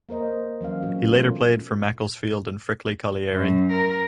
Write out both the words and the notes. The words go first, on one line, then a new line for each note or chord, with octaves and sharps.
He later played for Macclesfield and Frickley Colliery.
A#3 A#4 C5 D#5
E3 F#3 C#4 F5
A#2 F#3 C#4 F#4
B2 E3 A3 C#4 F4 A#4
F#2
A#4